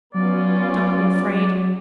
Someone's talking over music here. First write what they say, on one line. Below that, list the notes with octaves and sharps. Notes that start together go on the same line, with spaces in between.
'Don't be afraid.
F#3 B3 C#4 F4 D5